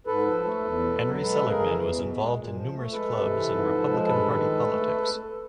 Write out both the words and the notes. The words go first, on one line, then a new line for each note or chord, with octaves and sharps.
Henry Seligman was involved in numerous clubs and Republican Party politics.
G#2 A4 B4
F3
A3
E2
B2
F#3
G#3 A4 B4
C#3
G#4 A#4
E3
E2
B2
G#3
A#2
F3
A3
G#3 A4 B4
C3
E3
G#2
F3
G#3
G2 A4 B4
D#3
G#3
A3